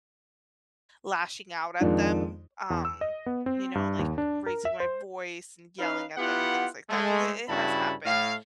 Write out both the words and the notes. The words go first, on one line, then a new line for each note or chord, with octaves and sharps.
lashing out at them, um, you know, like raising my voice and yelling at them and things like that 'cause it it has happened,
F2 D#3 G#3 D4 D#4 F4
E2
E6
D#5
B3
C4
G2
D#2
D4
A#4
E5
C5
C#4 D#4 B4 F5
B3 E4 F4 G4 F#5
G#3 A3
G2 C#3 E4 F#4 A5 B5
A2 F5